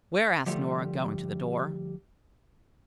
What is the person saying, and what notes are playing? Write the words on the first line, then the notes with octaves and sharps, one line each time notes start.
"Where?" asked Nora, going to the door.
D3 F3 G3 A3